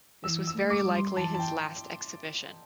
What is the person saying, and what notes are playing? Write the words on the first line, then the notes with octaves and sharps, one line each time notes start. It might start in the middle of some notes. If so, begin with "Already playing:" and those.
This was very likely his last exhibition.
E3 E6
E6
A3
D6
G3
C6
E3 A5
A5
G5